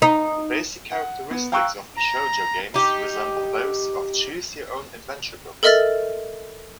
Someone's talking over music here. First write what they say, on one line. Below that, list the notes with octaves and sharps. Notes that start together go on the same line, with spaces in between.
The basic characteristics of bishojo games resemble those of Choose Your Own Adventure books.
D#4
F#5
B3
F5 G5 A#5 C#6 E6 F#6
A#5
D#4 G4
A4 A#4 D#5 E5 F6 A6